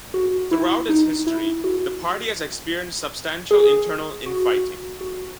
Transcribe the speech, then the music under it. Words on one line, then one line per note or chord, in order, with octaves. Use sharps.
Throughout its history, the party has experienced substantial internal infighting.
F#4
E4
D#4
E4
F#4
G#4
F#4
F#4